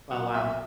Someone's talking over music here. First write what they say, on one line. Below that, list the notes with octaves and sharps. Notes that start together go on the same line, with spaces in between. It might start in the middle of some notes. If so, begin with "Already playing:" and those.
Oh, wow.
F#3 F#5
B1 E5